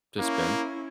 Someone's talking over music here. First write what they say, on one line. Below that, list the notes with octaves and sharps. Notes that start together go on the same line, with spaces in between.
to spend.
A#3 C#4 E4